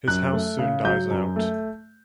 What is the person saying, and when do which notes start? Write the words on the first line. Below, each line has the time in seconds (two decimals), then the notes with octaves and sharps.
His house soon dies out.
0.08 F#2 F#6
0.33 A3
0.59 C#3
0.85 F#3 G6
1.11 F#2
1.36 A3